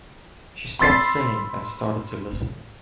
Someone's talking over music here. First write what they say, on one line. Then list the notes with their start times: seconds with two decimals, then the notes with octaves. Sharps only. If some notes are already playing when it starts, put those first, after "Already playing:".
She stopped singing and started to listen.
0.79 B5 C6 E6 A6 B6 C7